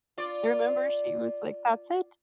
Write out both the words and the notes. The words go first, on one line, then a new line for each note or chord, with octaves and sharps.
I remember she was like, "That's it.
F4 D5